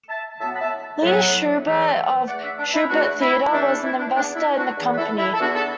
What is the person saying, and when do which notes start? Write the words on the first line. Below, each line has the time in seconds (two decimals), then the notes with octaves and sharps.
Lee Shubert of Shubert Theater was an investor in the company.
0.09 E5 A5
0.40 A2 F#3 B3 E5 A5
0.54 B5
0.61 E5 A5
1.02 A2 F#3 B3
1.65 E2 E3 A3
2.27 E2 E3 A3 D5 F#5
2.43 B4 E5
2.59 D4
2.74 E4
2.90 E2 E3 A3 D4 F#4
3.21 E4
3.52 E2 E3 A3 D4
3.67 D4
3.84 E4
3.99 D4
4.14 E2 E3 B3 D4
4.35 E4
4.56 D4 F#4
4.77 E2 E3 B3
4.91 B4
4.98 E4 A4
5.18 E4
5.34 A4
5.39 E2 E3 B3 D4 F#4
5.55 E4 A4